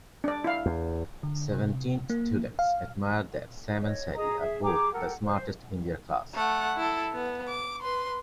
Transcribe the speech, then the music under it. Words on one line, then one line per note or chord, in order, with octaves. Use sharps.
Seventeen students admired that Sam and Sally are both the smartest in their class.
D4 D5
E4 F5
E2
D3
C3
A#3
F5
C#5 D#5
G#4 D#5 A#5 D#6
G#4 E5
G4 G#4 A#5 D6
G4 A4 A#4 F#5
C5
A3 F#5
E4 A4
B3
D6
B4 C6